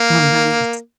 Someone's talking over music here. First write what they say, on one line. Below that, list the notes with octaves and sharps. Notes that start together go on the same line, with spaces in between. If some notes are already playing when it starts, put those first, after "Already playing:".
Oh, nice.
Already playing: A#3